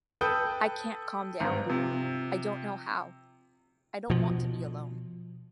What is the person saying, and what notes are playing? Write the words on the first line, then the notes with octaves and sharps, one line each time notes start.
I can't calm down. I don't know how. I don't want to be alone.
A4 B4 G5 D#6 E6 G6
G#1 G2
C3 F3
B2 F3